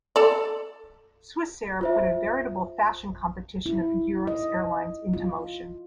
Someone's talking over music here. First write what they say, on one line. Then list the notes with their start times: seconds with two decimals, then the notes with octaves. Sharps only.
Swissair put a veritable fashion competition of Europe's airlines into motion.
0.16 A4 D5
1.81 F4 C5 E5
3.66 E4
4.27 D#5
5.13 F4